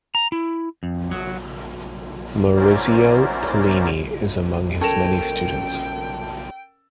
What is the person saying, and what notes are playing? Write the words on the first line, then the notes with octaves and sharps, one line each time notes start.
Maurizio Pollini is among his many students.
A#5
E4
F2
F#3
B3 C#4 E4 A#4 C5 D5
C#4 A4 A#4 G5 E7